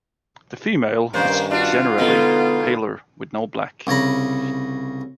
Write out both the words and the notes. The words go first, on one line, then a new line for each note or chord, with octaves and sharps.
The female is generally paler, with no black.
G2 D#3 A#3 C#4 C5
D4 F4 F#4
B2 D3 G#3 B3 D#4
C2 C#3 C#5 A#5 B5